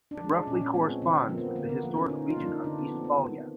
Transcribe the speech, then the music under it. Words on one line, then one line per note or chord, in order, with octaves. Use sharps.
It roughly corresponds with the historic region of Eastphalia.
D4
F3 G#3
D4
A#2 C#4
C#4
F3 G#3 B3
C4
D3 C4
F3 A#3
B3
D3 A#3
B3
F3 A#3
C#4
D3 D#4
F4
F3 A#3 D4
D#4
D3 D4
B3
F3 A#3 C4
B3
D#3 B3